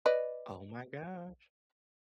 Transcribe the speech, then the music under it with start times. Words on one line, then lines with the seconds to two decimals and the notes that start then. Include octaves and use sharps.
Oh my gosh,
0.06 B4 D5 D#5